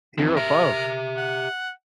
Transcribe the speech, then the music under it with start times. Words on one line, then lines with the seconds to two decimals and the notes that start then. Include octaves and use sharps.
here above,
0.18 E3 F3 C4
0.37 G4 A#4 E5
1.17 F#5